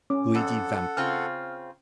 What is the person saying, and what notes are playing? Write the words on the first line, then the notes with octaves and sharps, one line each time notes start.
Luigi Vampa.
C#4 D6
F2 A4 F#5
C#3 C4 F4 F6